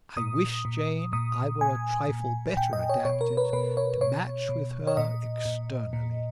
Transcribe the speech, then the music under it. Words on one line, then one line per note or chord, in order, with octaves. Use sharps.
I wish, Jane, I were a trifle better adapted to match with her externally.
A#2 D#6
A#2
A#2 D#6
A#2 G#5
A#2
A#2 G5
D#5
C#5
B2 C#5
A#4
B4
B2 B4
C#5
B2 C#5
B2
C#5
A#2 D#5
A#2
A#2